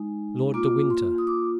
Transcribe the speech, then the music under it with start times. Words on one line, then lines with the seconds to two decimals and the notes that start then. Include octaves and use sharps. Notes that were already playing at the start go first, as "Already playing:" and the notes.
"Lord de Winter."
Already playing: G#3 D#4
0.54 A#3 F4 D6
0.90 C6
1.18 D#6
1.27 D6